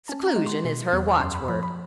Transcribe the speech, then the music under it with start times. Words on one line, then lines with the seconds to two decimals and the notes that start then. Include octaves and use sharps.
Seclusion is her watchword.
0.08 C#4 A5
0.27 A#5
0.36 G#3
0.46 C6
0.65 B2
0.93 E2
1.20 F#2 C6
1.34 B5
1.48 F3 B5
1.63 B5